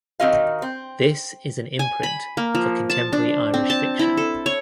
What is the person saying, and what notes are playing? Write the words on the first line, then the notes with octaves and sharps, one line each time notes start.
This is an imprint for contemporary Irish fiction.
D#3 C4 D#4 F#4 D#5 F5
C4
G#5
B5
A#3
F3
A5
D4
C4
A5
E4
A4
C#5